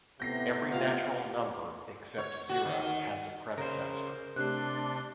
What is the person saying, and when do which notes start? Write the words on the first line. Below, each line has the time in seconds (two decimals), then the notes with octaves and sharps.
Every natural number except zero has a predecessor.
0.20 A2 C3 B3 G6 A#6 C7
0.72 F4 G4 C5 D#5 F5
2.18 C#5
2.49 F#4
2.65 D#3
3.58 C#3 A#4 C5
4.36 C3 A3 D4 G4 C6 F#6